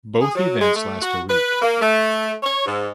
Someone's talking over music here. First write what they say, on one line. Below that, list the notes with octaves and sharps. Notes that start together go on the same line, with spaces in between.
Both events last a week.
G#4
F#3
G#3
A3
F#4
B4
A#3
A3
C#5
G#2